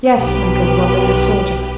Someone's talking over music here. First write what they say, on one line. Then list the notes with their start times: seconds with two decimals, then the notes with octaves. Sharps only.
"Yes, my good woman, a soldier."
0.18 B1 G4 B4